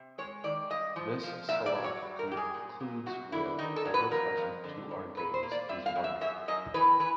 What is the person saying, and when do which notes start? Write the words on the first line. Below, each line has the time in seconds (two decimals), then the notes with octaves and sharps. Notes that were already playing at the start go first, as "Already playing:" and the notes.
This salok concludes with: Ever present to our gaze is wonder.
Already playing: C3
0.18 G#3 C#5
0.44 D#3 D5
0.70 G2 D#5
0.96 F3
1.23 F3
1.49 A#2 E5
1.66 D5
1.75 F#3
1.84 C#5
2.02 G3
2.19 A#4
2.27 F#2 G4
2.37 G#4
2.54 A#2
2.80 A#2
3.06 F#2 F#4
3.32 D3 E4
3.58 D#3 D#4
3.76 A4
3.85 F#3
3.94 B4
4.11 F2 A#4
4.37 F2
4.64 D3
4.91 G2
5.17 A#2 B4
5.34 C5
5.43 A#3
5.52 D5
5.69 G3 E5
5.86 F5
5.95 F#2
6.04 E5
6.21 F#2 E5
6.48 F#2 D#5
6.74 E3 B4
6.99 E3 B4